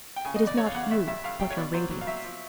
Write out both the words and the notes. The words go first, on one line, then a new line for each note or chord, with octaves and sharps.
It is not you, but your radiance.
G5
C#3 G#5
D#5
E2
D5
C#3 C#5
F5
E2 F#5
F5
G2 E5
G2 E5
G2 F5
F#3 G5
C#5
B2 D5
F#3 C5
F#3
F5
F#3 E5
F3